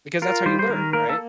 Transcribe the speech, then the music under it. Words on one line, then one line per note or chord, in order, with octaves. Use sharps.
Because that's how you learn, right,
F4 A#4
G3 C5
C5
D#3 A#4
A#3 A#4
A4